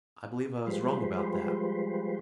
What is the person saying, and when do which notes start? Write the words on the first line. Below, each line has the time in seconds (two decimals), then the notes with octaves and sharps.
I believe I was wrong about that.
0.66 F3 G3 G#3 B4 C5